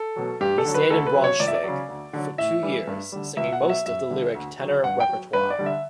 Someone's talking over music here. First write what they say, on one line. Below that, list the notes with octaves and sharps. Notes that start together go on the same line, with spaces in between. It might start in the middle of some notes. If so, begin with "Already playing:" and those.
He stayed in Braunschweig for two years, singing most of the lyric tenor repertoire.
Already playing: A4
B2 F#3
G2 G4
A4
D3 F#3
B4
D2 A4
B4
C#3 F#3
C#5
C#2 D5
E5
D5
C#3 F#3
D2
D3 F#3
A2 E5
E3 G3
G2
D3 G3
C#2 E5
F#5
B2 F#3
E5
F#2 E5
D3 G3
D2
D3 F#3
G2 F#5
G5
F#3
G2 B4
D5
D3 G3
E5